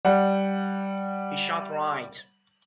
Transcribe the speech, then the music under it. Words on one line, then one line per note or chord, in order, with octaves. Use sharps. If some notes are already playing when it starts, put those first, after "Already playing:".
He shot right.
G3 F#5